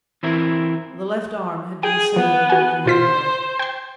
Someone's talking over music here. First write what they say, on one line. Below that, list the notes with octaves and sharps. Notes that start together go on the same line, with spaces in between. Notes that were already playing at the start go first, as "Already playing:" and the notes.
The left arm had been severed above the elbow.
E3 C4 E4 A#4
G#4 G5
F3 B3
F#4 G#5
B2 F4 C5 B6
G5 C6